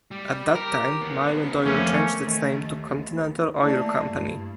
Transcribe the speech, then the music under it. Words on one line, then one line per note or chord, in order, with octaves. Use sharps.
At that time, Marland Oil changed its name to Continental Oil Company.
G3
G4 A#4
D#2 B3
F2 A3 A#3 C#4
D#3 A3
D#2
A3 A#3 E4 D5 A5
G2